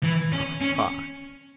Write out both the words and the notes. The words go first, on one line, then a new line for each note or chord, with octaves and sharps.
Ha, ha!
E3
C#4
C#4